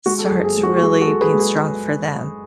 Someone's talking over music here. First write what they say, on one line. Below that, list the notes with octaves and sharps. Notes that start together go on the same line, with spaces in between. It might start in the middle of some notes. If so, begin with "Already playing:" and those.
starts really being strong for them.
G#3 F#4
A4
G#4
F#1
G#4
G#3
F#4
F#4
G#3 G#4
F#4 A4
G#3
G#4 B4
G#3
G#4